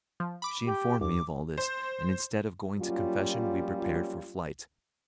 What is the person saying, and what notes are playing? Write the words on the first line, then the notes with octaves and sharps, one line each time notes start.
She informed me of all this, and instead of going to confession we prepared for flight.
F3
B5 D6
G4
D#2 D6
C5
F#3 G3 A#3 C#4 F4